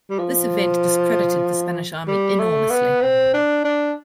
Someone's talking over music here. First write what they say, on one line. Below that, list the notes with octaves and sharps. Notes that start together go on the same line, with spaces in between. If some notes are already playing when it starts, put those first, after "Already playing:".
This event discredited the Spanish army enormously.
G3
F3
G3
A3
B3
C4
D4
D4